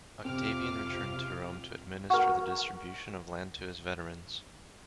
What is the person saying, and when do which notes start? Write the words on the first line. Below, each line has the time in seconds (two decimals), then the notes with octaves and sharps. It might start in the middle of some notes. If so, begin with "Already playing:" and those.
Octavian returned to Rome to administer the distribution of land to his veterans.
0.25 F2 C3 C4 F4 D6 F6
2.10 F#4 A#4